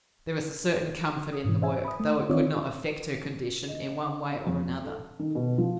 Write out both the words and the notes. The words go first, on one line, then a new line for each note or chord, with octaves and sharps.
There was a certain comfort in the work, though it could not affect her condition in one way or another.
D#6
G#2 B2 E3
C5 E5 G#5
B5 D#6
A3
D#3 C4 D4 D#4 F4 C#5
D#5
F2
A4
D#3
B2
F3